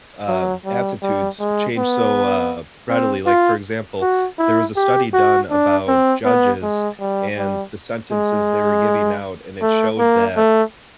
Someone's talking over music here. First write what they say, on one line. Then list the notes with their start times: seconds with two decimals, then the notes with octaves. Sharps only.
uh, aptitudes changed so, uh, readily, like, for example, there was a study done about judges and the sentences they were giving out, and it showed that
0.28 F#3
0.65 G3
1.02 G3
1.40 G#3
1.77 B3
2.89 C4
3.26 F4
4.01 F#4
4.38 E4
4.76 G4
5.13 F#4
5.50 D4
5.88 C4
6.25 B3
6.62 G#3
7.00 G3
7.37 G3
8.12 G#3
9.62 A3
9.99 A#3
10.36 A3